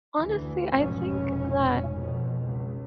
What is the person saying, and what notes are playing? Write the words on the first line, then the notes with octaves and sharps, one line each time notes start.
Honestly, I think that,
D2 E3
F1 G#2 B2 C#4
F2 B2
C#2